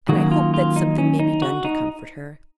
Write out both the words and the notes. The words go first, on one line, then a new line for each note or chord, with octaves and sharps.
And I hope that something may be done to comfort her.
D#3 F#3 A#3 C#4 F#4
F4
F4
D#4
C#4
D#4
F#4
D#4